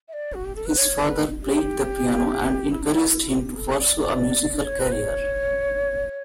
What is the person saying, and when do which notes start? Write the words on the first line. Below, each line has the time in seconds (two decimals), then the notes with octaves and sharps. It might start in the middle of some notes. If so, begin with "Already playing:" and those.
His father played the piano, and encouraged him to pursue a musical career.
0.08 E5
0.13 D5
0.34 F#4
0.45 G4
0.56 A4
0.66 B4
0.78 C#5
1.00 B4
1.42 G4
2.71 E4
2.83 D4
2.93 E4
3.22 E4
3.29 F#4
3.36 G4
3.57 A4
3.79 D5
4.00 D5
4.65 C#5
4.79 B4
4.92 C#5